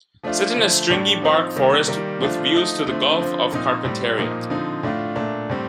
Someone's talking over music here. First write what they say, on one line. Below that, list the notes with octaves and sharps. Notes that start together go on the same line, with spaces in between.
Set in a stringybark forest with views to the Gulf of Carpentaria.
F3 A3 D4 F4
D3 F3 A3
A2 G3 D4
F3 C4 D#4
C3 D#3 G3 A#3
D#3 G3 A#3
D3 F3 A3 D4 F4
F3 A3 D#4
D3 F3 A3 C4
D3 F3 C4
A#2 F3 C4 D#4
A2 G3 C4
A#2 F3 A#3 D#4
D3 F3 C4 D#4
A2 A3 D4 F4
A#2 A3 D4
A2 G3 C4